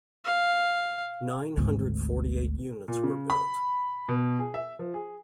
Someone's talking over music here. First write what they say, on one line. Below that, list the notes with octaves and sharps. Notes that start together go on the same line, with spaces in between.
Nine hundred forty-eight units were built.
F5
G#1 D2
A#2
C#3
B5
B2
G#4
E5
F3
G#4